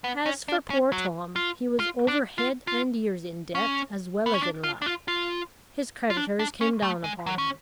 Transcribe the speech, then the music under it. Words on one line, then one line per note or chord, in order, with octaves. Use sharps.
As for poor Tom, he was over head and ears in debt as well as in love: his creditors came down upon him.
B3
C#4
D4
C#4
F#3
F4
F4
D4
F4
F4
C#4
B3
C#4
D4
F4
D4
F4
F4
F4
D4
D4
C#4
A3
G#3
F#3
C#4